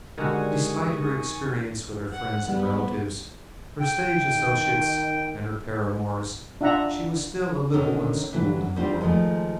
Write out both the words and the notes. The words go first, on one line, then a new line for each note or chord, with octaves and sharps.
Despite her experience with her friends and relatives, her stage associates, and her paramours, she was still a little unschooled in the world.
D3 D#3 G3 G#3 F#4 G#5 C#6 D#6
F#5
G3 B3
G5
D#3
D4 F4 E5 F#5 A#5
D3 D#3 C#4 A4 A#4
D3 E3 F#3
G3 C4 D4 F4 C5
D#3 F3 G#3 A3